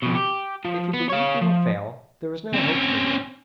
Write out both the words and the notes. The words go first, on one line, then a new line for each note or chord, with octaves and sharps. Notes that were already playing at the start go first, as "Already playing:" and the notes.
If you believe you will fail, there is no hope for you.
F2 B2
G4
F3
B3
C#5 F5
F3
C4 C#4